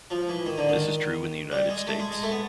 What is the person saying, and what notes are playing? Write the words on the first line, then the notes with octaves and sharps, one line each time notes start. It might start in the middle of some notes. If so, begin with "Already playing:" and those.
This is true in the United States.
F3
E3
D#3
D3
D#3
G3
G#3
A3
G#3
G#3
A3
B3